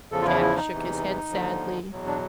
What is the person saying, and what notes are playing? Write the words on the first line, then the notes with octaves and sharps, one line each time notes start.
Jack shook his head sadly.
E2 C#3 F3 A4
F4
E4
E4
D#4
E2 C3 E3
D#2 D3 F3
E2 B2 F#3
D4